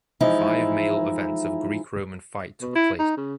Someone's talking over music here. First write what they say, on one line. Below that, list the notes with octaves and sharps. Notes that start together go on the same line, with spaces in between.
Five male events of Greek-roman fight took place.
E3 F3 G#3 D#4 E4
B2
E4
D#4
C#3